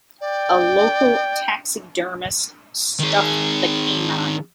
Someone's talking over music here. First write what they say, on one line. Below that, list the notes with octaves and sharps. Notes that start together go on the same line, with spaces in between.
A local taxidermist stuffed the canine.
D5 G5
D#3 G#4